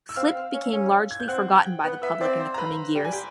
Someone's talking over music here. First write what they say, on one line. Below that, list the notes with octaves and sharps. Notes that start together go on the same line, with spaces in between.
Flip became largely forgotten by the public in the coming years.
E6
C4 F5 F6
C4
C#4
C#4
G#6
G6
C4 F#5 F#6
G5 G6
B3 F#5 F#6
B3 E5 E6
C4 D5 D6
C5 C6
A#5
B4 B5
G3 G5
G#5
G4 G5